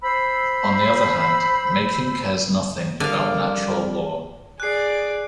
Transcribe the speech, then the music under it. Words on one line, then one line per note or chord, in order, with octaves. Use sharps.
On the other hand, Making cares nothing about natural law.
C5 B5 E6
D3 G3 A#4 D5 F5
G#4 D5 F#6 C7